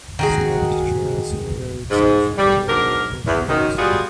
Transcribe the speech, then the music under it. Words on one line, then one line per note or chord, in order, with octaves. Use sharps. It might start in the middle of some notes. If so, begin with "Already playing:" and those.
Select trails and roads in the fire area were closed.
D#3 F#4 G#4
G#2
G3
G#2 F#3 D4 A#4
E2
F#2 D#3
G3 G#3 B3 F4 F#4 G#4